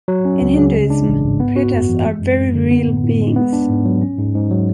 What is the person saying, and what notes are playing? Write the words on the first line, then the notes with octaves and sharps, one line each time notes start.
In Hinduism Pretas are very real beings.
F#3
C#4
C#2
C#3
G#3
D4
A1
G#2
B3
F#4
F#2
E3
G#3
F#2
F#2
D3
B3
A2
A2
G#3
B3
D4
G#2
F#3
C#4
G#2
G#2
F#3